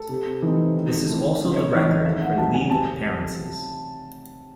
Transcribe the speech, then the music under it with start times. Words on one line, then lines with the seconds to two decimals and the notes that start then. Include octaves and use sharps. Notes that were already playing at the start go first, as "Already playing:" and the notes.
This is also the record for League appearances.
Already playing: A4
0.09 C3
0.42 E3 C4 D#4
0.75 D#3
1.07 A3 C4 E4
1.39 C#3
1.56 C#5
1.73 E3 C4 D#4 C#5
1.89 D#5
2.05 D#3 E5
2.22 F#5
2.37 F#3 C4 A5
2.54 G#5
2.70 C3 A5